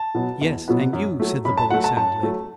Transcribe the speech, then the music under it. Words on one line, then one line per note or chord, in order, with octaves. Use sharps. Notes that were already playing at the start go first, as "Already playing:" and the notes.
"Yes; and you," said the boy sadly.
Already playing: A5
B2 F#3 B3
E2
B2 F#3 B3
F#2
F#3 A3
F#2 B5
A5
F#3 A3 F#5
A5
F#2 A5
F#3 A3